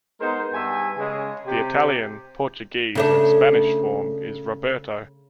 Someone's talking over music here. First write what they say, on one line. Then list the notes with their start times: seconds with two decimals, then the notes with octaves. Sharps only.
The Italian, Portuguese, and Spanish form is "Roberto".
0.21 G#3 B3 D#4 A#4 C5
0.53 G2 B3 E5 G#5
0.98 C#3 G#3
1.47 C3 G4
2.95 C#3 A3 D4